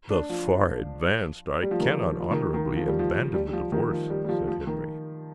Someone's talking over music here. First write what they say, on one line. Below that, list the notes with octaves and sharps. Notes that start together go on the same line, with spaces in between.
"Thus far advanced, I cannot honourably abandon the divorce," said Henry.
D4
F3
G3
F3
D#3
F3
F3
D#3
D#3
F3
G3
F3
G3
G3
F3
D#3
F3
G3
G3
F3
F3
D#3